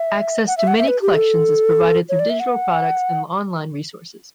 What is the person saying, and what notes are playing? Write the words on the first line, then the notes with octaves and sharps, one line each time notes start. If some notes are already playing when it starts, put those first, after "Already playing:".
Access to many collections is provided through digital products and online resources.
Already playing: E5
F#5
E5
F#5
E5
B4
G4
A4
C#5
D5
E5
F#5